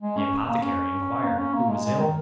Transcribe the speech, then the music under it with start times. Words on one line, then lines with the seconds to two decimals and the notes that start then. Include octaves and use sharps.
The apothecary inquired who was ill.
0.01 G#3
0.17 C#4
0.47 A#3
0.62 C#4
1.24 A#3
1.39 C#4
1.54 A#3
1.69 G#3
1.84 G#3
1.99 D#3